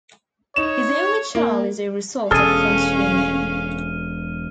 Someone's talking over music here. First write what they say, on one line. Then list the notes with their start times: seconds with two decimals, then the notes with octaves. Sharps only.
His only child is a result of that union.
0.56 D#4 C#5 E7
1.35 A#3
2.31 E1 B2 C#4 G#4 A4 F5 F6 D#7